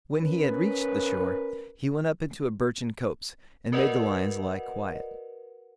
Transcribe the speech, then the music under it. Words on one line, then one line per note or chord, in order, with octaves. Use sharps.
When he had reached the shore he went up into a birchen copse, and made the lions lie quiet.
C#4 A#4 B4
F#4 A#4 B4 D5 D#5 F#5